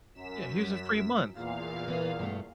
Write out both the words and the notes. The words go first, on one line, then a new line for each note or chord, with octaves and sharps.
Yeah, "Here's a free month.
F#2 B6 E7
E2 A#2 F5
E3 B3
G2 B2 A3